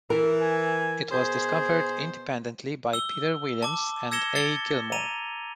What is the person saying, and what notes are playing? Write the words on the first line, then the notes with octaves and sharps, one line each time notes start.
It was discovered independently by Peter Williams and A. Gilmore.
E3 A#4
G#5
B2 G#4 C5
E6 G7
A5 D6
E6 G#6 A#6 C#7 E7 G7
A6 C#7 G7
A#5 D#7 F7